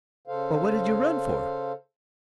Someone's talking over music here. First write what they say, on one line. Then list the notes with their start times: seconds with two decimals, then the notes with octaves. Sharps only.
"Well what did you run for?"
0.27 C#3 A4 C5 F5